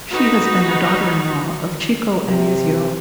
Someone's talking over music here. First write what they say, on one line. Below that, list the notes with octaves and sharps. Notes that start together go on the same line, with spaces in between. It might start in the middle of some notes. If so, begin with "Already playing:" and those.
She has been a daughter-in-law of Chico Anysio.
D#4 F#4 B4
C3